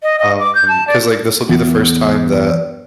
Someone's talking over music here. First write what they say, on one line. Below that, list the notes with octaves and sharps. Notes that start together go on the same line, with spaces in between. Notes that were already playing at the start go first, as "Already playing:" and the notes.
um, 'cause, like, this will be the first time that
D#5
D#5
D6
G6
A5
D5
E2